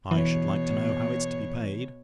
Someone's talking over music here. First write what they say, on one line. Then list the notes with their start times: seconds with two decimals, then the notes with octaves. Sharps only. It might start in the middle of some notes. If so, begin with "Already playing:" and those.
I should like to know how it's to be paid?
0.11 B2 E3 C#5